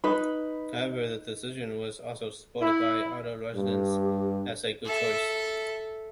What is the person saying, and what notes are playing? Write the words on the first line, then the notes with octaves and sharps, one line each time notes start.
However, the decision was also supported by other residents as a good choice.
D#4 B4 B5
E4
G2 G4
A4 E5